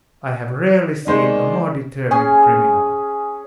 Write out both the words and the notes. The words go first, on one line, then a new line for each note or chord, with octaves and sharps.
I have rarely seen a more determined criminal.
D#3 G#3 C5 D5
C#4 G#4 G#5